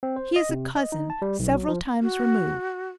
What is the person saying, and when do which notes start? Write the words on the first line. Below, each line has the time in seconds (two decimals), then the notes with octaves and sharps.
He is a cousin, several times removed.
0.03 C4
0.16 C5
0.36 D#5
0.49 C3
0.76 D#5
0.92 D#4
1.10 A5
1.22 G3
1.39 B1
1.55 F#3
1.68 F3
2.03 F#4